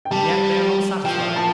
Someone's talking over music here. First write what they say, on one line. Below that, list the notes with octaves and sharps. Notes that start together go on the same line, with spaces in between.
And yet they are not satisfied.
G5
G3 A5
F3 G5
A5